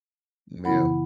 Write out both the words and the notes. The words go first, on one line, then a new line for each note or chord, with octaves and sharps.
M Yeah.
F#2 C#3 E3 B3 E4 F#5 B5